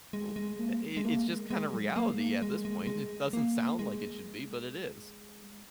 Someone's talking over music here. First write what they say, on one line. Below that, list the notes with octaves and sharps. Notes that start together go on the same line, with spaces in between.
Well eh it it's just kind of reality at this point. It doesn't sound like it should be, but it is.
G#3
G#3
A#3
G#3
G#3
A#3
G#3
G#3
F#3
A#3
G#3
A#3
G#3
G#3
G#3
A#3
G#3